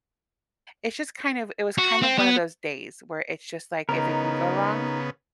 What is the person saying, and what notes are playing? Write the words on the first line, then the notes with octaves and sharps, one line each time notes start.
it's just kind of it was kind of one of those days where it's just like, if it can go wrong,
F#4
C4
B3
C#3 B3 D#4 A#4